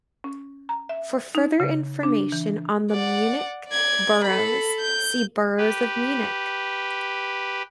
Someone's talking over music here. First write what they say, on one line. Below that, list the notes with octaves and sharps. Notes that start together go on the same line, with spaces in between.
"For further information on the Munich boroughs, see:" Boroughs of Munich.
C#4
A#5
E5
D#4
C#3
D4
E3
D5 F#5
D5 G#6
A4 B5
G6
G4 B4